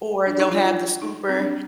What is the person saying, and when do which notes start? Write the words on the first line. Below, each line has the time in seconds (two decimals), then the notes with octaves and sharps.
or they'll have the scooper,
0.27 D4
0.39 D#4
0.51 F4
0.64 F4
1.02 D#4
1.29 C4
1.40 D4